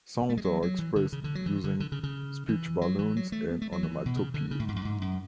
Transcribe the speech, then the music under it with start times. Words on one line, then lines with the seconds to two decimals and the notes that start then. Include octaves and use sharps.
Sounds are expressed using speech balloons and onomatopoeia.
0.22 B3
0.29 A3
0.37 G#3
0.44 F#3
0.62 F#3
0.79 E3
0.96 D3
1.12 C#3
1.24 D3
1.35 F#3
1.46 E3
1.64 D3
1.80 D3
1.92 C#3
2.03 C#3
2.48 E3
2.81 F#3
2.99 E3
3.16 F#3
3.32 A3
3.50 B3
3.62 A3
3.72 F#3
3.83 E3
4.06 B2
4.17 C#3
4.34 D3
4.51 C#3
4.60 A2
4.68 G#2
4.76 F#2
4.85 G#2
5.01 F#2